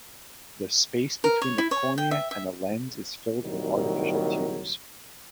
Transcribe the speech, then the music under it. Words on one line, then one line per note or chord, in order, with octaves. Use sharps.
The space between the cornea and the lens is filled with artificial tears.
A#4
C#5
E4
C#5
G5
E5
E5
C2 A#2 D#3 F#3